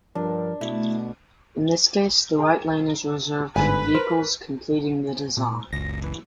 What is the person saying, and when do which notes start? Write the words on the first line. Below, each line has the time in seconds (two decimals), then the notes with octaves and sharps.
In this case, the right lane is reserved for vehicles completing the design.
0.15 G2 F3 D4 A#4
0.61 B2 A3 E4
2.39 G#4 A#4 G5
3.56 G1 G#2 D3 B4 G#5 B5
3.94 A#4 C5
5.37 A#2
5.73 F#1 C#2 A#6
6.04 E3